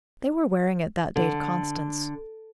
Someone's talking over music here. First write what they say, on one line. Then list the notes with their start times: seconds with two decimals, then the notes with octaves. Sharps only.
They were wearing it that day to Constance.
1.16 D3